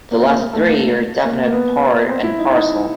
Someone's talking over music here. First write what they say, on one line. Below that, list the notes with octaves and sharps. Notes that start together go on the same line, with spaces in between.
The last three are definite part and parcel.
A#3
C4
A#3
A#3
A3
A#3
A#3
A#3
B3
C4
E4
D#4
D#4